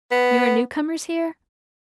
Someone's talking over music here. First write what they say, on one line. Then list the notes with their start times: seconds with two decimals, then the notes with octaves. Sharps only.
You are new-comers here?
0.12 B3